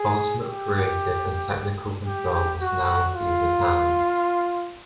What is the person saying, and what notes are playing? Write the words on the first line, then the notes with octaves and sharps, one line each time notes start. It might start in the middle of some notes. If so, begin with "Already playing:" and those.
Ultimate creative and technical control was now in Caesar's hands.
Already playing: G#4
G4
G4
F#4
F4